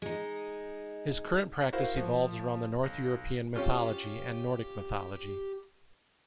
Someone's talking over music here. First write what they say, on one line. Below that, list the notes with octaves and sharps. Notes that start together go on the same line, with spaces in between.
His current practice evolves around the North-European mythology and Nordic mythology.
G#3 D#4
E4 F#4 A#4 C5 F5
F3
B1 A#6
C#4 F4 G4